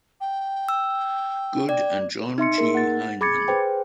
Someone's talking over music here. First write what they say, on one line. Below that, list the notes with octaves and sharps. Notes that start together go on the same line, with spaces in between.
Good and John G. Heimann.
G5
E6
D5 G5
D#4 E5 C6 C#7
A#3 D#4 G#4 A#4
F#5 A6
G#4 B5 D6 G#6 A6 C#7
G#4 B4 C5 G5